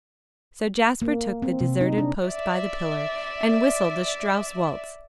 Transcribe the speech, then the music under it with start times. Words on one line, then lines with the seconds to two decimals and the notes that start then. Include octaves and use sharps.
So Jasper took the deserted post by the pillar, and whistled a Strauss waltz.
1.02 A#3
1.42 C4
1.61 C3
1.81 D#4
1.98 D4
2.28 D5 E5